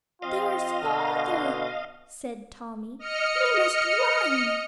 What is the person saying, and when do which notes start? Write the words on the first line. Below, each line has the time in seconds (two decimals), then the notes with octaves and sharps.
"There's father," said Tommy; "we must run."
0.22 F3 C4 F4 D#5 F5
0.83 B2 D3
2.98 D#5 F6 C#7